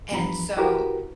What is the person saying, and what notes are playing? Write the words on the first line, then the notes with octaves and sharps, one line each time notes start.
and so
E2 G2 F3 A#5 B5
E4 F#4 G4 A#4 B4